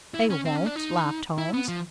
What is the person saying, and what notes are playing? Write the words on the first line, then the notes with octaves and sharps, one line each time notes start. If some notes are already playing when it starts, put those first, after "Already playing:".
"They won't," laughed Holmes.
E4
C#4
C4
C#4
D4
D#4
E4
B3
F3